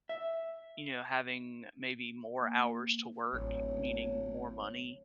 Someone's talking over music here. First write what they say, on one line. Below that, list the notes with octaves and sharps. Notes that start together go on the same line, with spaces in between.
you know, having maybe more hours to work, meaning more money,
E5
A#3
D1 A1 C#5